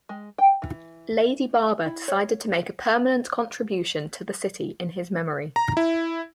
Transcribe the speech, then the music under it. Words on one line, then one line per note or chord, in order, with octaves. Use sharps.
Lady Barber decided to make a permanent contribution to the city in his memory.
G#3
G5
E3
E4
C#5
A#5
E4